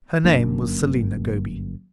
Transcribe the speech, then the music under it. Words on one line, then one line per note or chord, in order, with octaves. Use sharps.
Her name was Selina Goby.
G1 F#2 A#3 D4